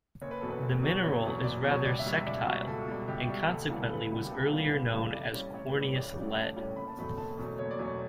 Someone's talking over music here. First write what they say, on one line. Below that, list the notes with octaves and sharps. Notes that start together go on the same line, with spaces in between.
The mineral is rather sectile, and consequently was earlier known as corneous lead.
F#1 C#5
B4
E2 B2 F#3 A4
B4
F#1
E2 B2 F#3
F#1 C#5
E2 B2 F#3
F#1 D5
E2 B2 F#3 C#5
C#2 D5
E5
B2 G3
E5
C#2 D5
B2 G3
C#2 A4
B2 G3
C#2 G4
B2 G3
D2 A4
C#3 E3 G3 B3
A4
D2 B4
C#3 E3 G3 B3
G4
D2 A4
C#3 E3 G3 B3
D2 B4
C#3 E3 G3 B3
A1 D5
A2 G3 C#4
A1 C#5
B4
A2 G3 C#4
B4
C#5
A1 D5
A2 G3 C#4
A1 A5
A2 G3 C#4
F#1 B5
A5
E2 B2 F#3 A3 B5
F#1 A5
E2 B2 F#3 A3
F#1 C#5
D5
E2 B2 F#3 A3 C#5